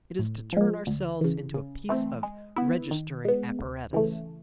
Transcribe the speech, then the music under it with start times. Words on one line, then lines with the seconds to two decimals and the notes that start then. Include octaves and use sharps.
It is to turn ourselves into a piece of registering apparatus.
0.19 A2
0.53 F3 G#3
0.87 D2
1.21 C#3 E3
1.54 C#3
1.89 E3 A3 C4
2.23 G#3
2.56 B3 E4
2.91 D#3
3.25 G#3 B3
3.59 D2
3.93 C#3 E3 A3